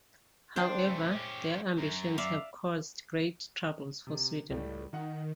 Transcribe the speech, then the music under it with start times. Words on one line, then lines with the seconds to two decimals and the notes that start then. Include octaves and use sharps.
However, their ambitions had caused great troubles for Sweden.
0.56 D4 C5 G5
0.86 C#3 A3
1.11 C#4 G4
1.78 F#2 A#4
2.18 D5 E5 F5
4.07 C3
4.50 C#2 A2 G3 A3
4.93 D#3 D#4 F#5